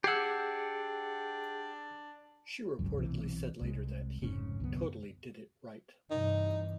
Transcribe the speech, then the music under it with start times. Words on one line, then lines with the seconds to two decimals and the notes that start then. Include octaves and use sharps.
She reportedly said later that he "totally did it right".
0.04 D4 G4 G#4 F#5 E6 G#6 C7
2.79 G#1 C#2 F#2
2.98 B1 C3 E3
3.61 C2 G#3
4.22 F1 G#2 C#3 C#4
4.60 C2 F#2 D3 B3
6.11 G2 C3 E3 D#4